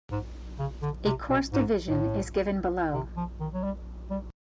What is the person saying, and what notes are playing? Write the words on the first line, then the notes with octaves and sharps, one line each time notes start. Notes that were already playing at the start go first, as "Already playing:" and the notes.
A coarse division is given below.
G#2
C#3
D3
C3
B2
G#2
A2
C3
F3
D#3
F#3
G3
G3